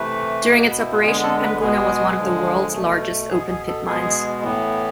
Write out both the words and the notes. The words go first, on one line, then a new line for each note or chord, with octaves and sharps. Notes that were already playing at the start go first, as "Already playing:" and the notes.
During its operation Panguna was one of the world's largest open-pit mines.
Already playing: C3 E3 A3 B4
B2 B3
E4
F4
D3 G#3 B3 G#4
A4
B4
B2 G#3 B3 G#4
D3 F3 G#3
B2 A3
B2 B3 G#4
G#4
A4
B2 G#3 B3 G#4
A2 E3 B3